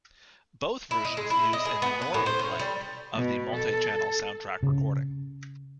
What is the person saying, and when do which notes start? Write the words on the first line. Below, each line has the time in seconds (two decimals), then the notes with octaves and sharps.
Both versions used a monaural blend of the multi-channel soundtrack recording.
0.91 E4
1.05 D#4
1.17 G#3
1.30 E4
1.53 D#5
1.65 G#4
1.82 B3
2.02 B4
2.14 A2
2.26 C5
2.39 C#4
2.59 G3
3.15 B2
3.55 A4
4.63 C#3